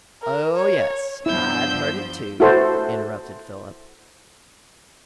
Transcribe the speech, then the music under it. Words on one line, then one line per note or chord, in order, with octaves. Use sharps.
"Oh, yes, I've heard it too," interrupted Philip.
A#4
C#5
G2 F3 B3 D4 E4 E6 G6
E4 F#4 A4 C5